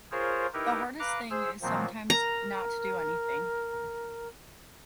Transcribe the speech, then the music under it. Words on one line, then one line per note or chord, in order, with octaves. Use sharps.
The hardest thing is, sometimes, not to do anything.
F4 G#4 A#4 C5 C#5
D#4 E4 G4 A#4 B4
B4 F5 A#5 D6 F#6
G#4 C5 E6
A#2 D#3 F3 F#3 A#3 C4
A#4 A#5